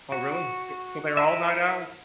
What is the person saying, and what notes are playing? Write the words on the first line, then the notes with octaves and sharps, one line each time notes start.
Oh, really? S So they're all night owls?
F#4
E4 A#4 B4 E5